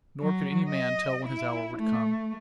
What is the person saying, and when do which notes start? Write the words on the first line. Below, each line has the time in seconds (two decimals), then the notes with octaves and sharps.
Nor could any man tell when his hour would come.
0.21 F#3
0.69 D#5
1.26 E4
1.78 A3